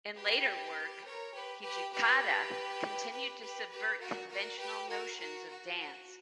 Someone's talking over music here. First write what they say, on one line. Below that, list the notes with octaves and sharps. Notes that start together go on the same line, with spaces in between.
In later work, Hijikata continued to subvert conventional notions of dance.
G4 B4
A#4 C#5
G4 B4
G4 B4
G4 B4
G4 B4
G4 B4
G4 B4
F#4 A#4
F#4 A#4
G4 B4
F#4 A#4
F#4 A#4
F#4
F#4